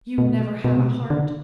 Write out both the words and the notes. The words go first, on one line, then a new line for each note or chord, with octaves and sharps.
You never had a heart.
B2
B2
C3
B2
D3